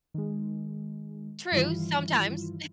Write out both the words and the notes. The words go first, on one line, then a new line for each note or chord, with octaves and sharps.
True, sometimes.
D#3 G#3
G2 D#3 E3 G3 E4 F4